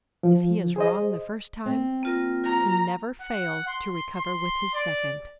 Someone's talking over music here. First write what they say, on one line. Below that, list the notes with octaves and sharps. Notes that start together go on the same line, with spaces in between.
If he is wrong the first time, he never fails to recover with his second.
F3
G#4 C5 D#5
C4
A#3 F4 A#4
A#5
F#5
C6
C6
D5